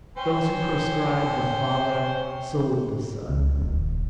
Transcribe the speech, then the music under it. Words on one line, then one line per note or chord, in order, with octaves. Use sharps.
Those who proscribed the father, sold the son.
C#4 C5 G5
C#2
D#1